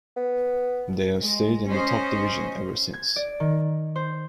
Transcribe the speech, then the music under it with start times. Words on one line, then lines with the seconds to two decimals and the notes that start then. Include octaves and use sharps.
They have stayed in the top division ever since.
0.17 B3
1.21 G#3
1.67 C#4 C5 D#5
2.94 G#6
3.16 D5
3.40 D#3
3.96 C5